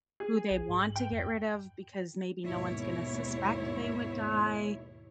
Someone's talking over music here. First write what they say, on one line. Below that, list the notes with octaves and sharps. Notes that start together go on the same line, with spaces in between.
who they want to get rid of, because maybe no one's gonna suspect they would die,
G#4
B1
G#2
F#7
G5
F2
D#2 G#2 B2 E4 C#5